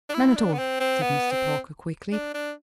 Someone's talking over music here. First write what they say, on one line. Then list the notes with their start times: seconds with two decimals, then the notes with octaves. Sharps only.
"None at all," said Mr. Parker, quickly.
0.10 D4
0.14 E4
0.36 D4
0.53 B3
0.59 C4
0.80 C4
1.02 B3
1.31 C4
2.12 D4
2.34 D4